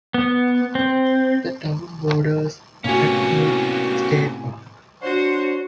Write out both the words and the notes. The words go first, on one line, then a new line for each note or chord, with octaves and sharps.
The town borders Taconic State Park.
B3
C4
A2 C3 A#3 B3 C#4 F#4 G#5
D4 F#4 C5 C#5 C6